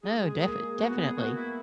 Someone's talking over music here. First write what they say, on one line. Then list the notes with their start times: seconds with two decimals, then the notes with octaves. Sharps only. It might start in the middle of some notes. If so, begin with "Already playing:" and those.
No, def definitely.
0.03 G#3 G#4
0.23 G#4
0.41 A#3 G#4
0.79 B3 F#4
0.98 G#4
1.17 A#3 F#4
1.36 E4